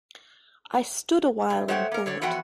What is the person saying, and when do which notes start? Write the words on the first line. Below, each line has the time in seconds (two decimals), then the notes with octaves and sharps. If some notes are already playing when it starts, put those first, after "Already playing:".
I stood awhile in thought.
1.50 A2
1.68 G#3 A3 C5 C#5 F#5 G5
1.92 A#3 A#4
2.06 D3 C#5 D5
2.21 E3 F3 B3 F#4 F#5 G5